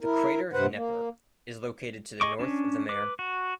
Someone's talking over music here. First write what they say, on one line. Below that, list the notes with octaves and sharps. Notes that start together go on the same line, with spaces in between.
The crater Neper is located to the north of the mare.
E4 A#4
G2 C3 B4 C5 F#5
A#3
G#4 D#5 C#6 D6
C#4 D4
B4 D6
F#4